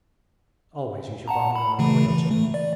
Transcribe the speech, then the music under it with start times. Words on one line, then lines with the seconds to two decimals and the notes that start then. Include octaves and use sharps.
Always use your bomb-gun on a whale, children.
1.28 F#5 A5 A#5
1.56 B5
1.79 C#3 E3 A3
2.09 E3
2.31 A3
2.54 D5